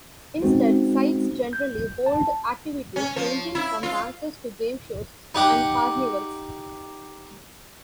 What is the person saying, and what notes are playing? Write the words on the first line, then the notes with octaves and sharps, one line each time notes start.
Instead, sites generally hold activities ranging from dances to game shows and carnivals.
G#3 C4 C#4 D#4 F#4 C5
G6
A5
C#4
F3
E4
F4
D#4 G4 F#5